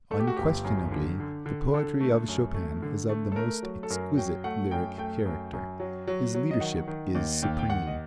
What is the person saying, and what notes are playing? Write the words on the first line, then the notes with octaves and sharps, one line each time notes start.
Unquestionably the poetry of Chopin is of the most exquisite lyric character, his leadership is supreme.
A3 A4
G4
F#4
G1 G4
F#2
D3
D3
D3
D3 A4
A3
F#2
A3
D3
A3
A4
A3 A#4
F#3
A4
F#2 A#4
F#3 G5
A3 F#5
F#2 G5
A3 G5
F#2
F#2
F#3
F#3
F#3
D#5
D#3 F#5
D#3
D#2
D#2 G5
G5
D#2 F#5
D#5